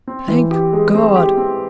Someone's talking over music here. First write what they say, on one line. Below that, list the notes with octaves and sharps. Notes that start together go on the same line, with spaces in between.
Thank God!
C4
E3
G4
G#3
C4
G4
C4